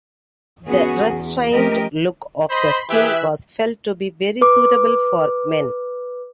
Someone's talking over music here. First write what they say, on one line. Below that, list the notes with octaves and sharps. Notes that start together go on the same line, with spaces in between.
The restrained look of the skin was felt to be very suitable for men.
E2 B3 C#4 F#4 G#4
E2
F3 A3 C#4 G4 A#4 D#5
C5 D#5 B5 C6
E3 G4 G#4 E5 F#6
B4 D6